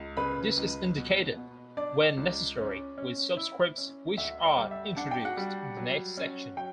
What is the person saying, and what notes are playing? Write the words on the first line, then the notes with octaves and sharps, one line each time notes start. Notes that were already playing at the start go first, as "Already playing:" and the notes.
This is indicated, when necessary, with subscripts, which are introduced in the next section.
Already playing: C#2
C#3 B4 B5
C#2
B2
B2
D4 D5
C#2
C#4
C#4
E4
C#4
D2 E5
D5
G3
E5
D4 F#5
G5
F#4 F#5
G3
F#3
C#4
F#3 G5